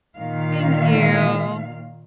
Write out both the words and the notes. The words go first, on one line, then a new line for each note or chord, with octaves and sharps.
Thank you.
A#2 D#3 F5